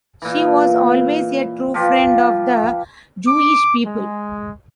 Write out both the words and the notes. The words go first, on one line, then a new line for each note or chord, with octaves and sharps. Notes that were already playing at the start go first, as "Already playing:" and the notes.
She was always a true friend of the Jewish people.
A#2 E3
F3 F4 G4 B4
D6
G#3